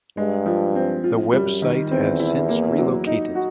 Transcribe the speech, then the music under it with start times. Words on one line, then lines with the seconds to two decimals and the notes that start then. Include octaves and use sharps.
The website has since relocated.
0.17 G2 G#3
0.46 F3
0.75 C4
1.04 F4
1.33 F#2 G3
1.62 D#3
1.91 E2 C4
2.20 E4
2.49 A#3
2.78 F#3
3.07 D#4
3.35 F#4